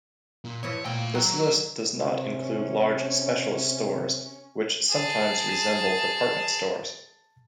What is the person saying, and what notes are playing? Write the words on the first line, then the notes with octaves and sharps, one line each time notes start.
This list does not include large specialist stores, which sometimes resemble department stores.
A#2
G2 E3 F3 C#5
A#2 A3 G5
F#3 F#5 A#5
C3 C#4
G#4 A5